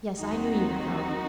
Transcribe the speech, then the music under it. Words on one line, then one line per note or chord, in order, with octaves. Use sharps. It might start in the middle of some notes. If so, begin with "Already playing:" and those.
Yes, I knew you would come.
D#2 D#3 F#3 C4 D#4 F#4